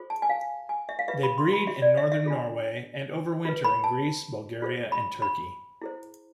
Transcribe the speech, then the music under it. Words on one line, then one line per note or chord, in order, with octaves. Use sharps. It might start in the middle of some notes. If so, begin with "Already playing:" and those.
They breed in Northern Norway and overwinter in Greece, Bulgaria and Turkey.
Already playing: F4 G#4 C5
A5
G#5
F5
G#5
E5
F5
F4 B4 E5
B5
C6
B5
E5
D5
E5
E5
D4 F4 G#4
F4 B4
B5
A5
F4 G#4 C5
B5
B5
E4 G#4 C5